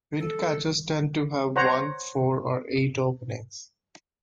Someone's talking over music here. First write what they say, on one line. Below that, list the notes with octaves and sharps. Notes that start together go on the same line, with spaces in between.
Windcatchers tend to have one, four, or eight openings.
A4
C5 C#5 F#5 A#5